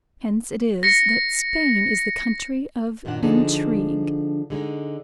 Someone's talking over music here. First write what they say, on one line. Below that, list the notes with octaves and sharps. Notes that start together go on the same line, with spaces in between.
Hence it is that Spain is the country of intrigue.
A#6 C#7
F#2 A#2 D#3 D4 F#5
D3 F3 D4 D#4 G#4 A4
D3 G#3 D#4